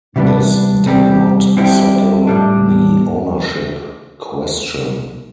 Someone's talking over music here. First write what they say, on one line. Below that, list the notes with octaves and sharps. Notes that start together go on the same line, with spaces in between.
This did not settle the ownership question.
C3 E3 G3 B3 D4
C3 G3 C4 G4
D3 G3 C4 E4 G4
A2 G3 D4